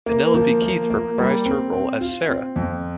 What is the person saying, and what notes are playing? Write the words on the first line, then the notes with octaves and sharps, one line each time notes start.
Penelope Keith reprised her role as Sarah.
A#3
F3
A#3
A#3
G3
C4
C4
F4
C4
F2